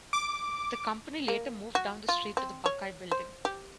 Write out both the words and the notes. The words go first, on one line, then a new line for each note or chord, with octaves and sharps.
The company later moved down the street to the Buckeye Building.
D6
A#3
F#4
F4
C4
C#5
C5
G4